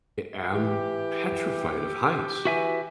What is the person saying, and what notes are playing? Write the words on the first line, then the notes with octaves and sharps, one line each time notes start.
I am petrified of heights.
E3 G4
E3 F#4 E5 G#5